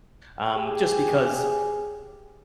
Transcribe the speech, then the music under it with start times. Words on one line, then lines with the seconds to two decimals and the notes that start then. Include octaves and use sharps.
um, just because
0.55 G4 G#4